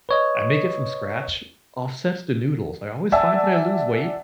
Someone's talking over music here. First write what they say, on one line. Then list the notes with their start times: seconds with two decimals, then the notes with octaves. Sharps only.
I make it from scratch, offsets the noodles, I always find that I lose weight
0.09 B4 C#5 D#5
3.12 D5 E5 F#5 G#5 A5 E6